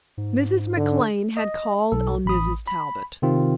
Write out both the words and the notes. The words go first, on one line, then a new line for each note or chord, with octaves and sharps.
Mrs. McLane had called on Mrs. Talbot.
G#2
D3
D#5
B1 A4
A1 B5 D#6
B5
C3 D#3 C4 F4